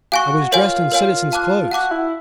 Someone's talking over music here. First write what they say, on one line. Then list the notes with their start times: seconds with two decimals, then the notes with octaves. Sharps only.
I was dressed in citizen's clothes.
0.12 F#4 F5 G#5 C#6
0.52 F4 A#4 C#5 F5 G#5
0.92 A#4 C#5 F5 G#5
1.32 F5 A5 D6 F#6
1.71 F#4 F5 A5 D6 F#6
1.91 E4